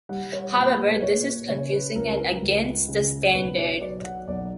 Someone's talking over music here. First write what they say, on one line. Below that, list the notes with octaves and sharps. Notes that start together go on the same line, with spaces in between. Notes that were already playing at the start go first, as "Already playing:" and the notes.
However, this is confusing and against the standard.
G3 F#5
C#5
A#2 B4
B4
A#2 C#5
C#3 C#5
B4
C#2 A#4
A#4
B4
C#2
C#3
B1 B4
C#5
F#3 D5
F#5
B1 D5